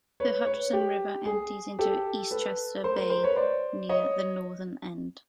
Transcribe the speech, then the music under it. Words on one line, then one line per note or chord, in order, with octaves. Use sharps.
The Hutchinson River empties into Eastchester Bay near the northern end.
B4 C#5
B4 C#5
G4
G#4
G4 A4
A4 B4
A#4 C5
A#4 C5
A#4 C5
B4 C#5
C5 D5
C#5 D#5